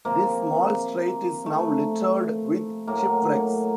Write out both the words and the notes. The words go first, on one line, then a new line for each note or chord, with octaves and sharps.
This small strait is now littered with shipwrecks.
C3 F3 A#3
A3
A2 F#3 A#3